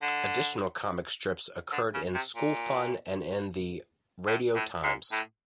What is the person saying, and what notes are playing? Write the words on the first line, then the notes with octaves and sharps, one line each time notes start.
Additional comic strips occurred in "School Fun" and in the "Radio Times".
D3
D3
C#3
C3
A#2
A2
A2
G#2
A2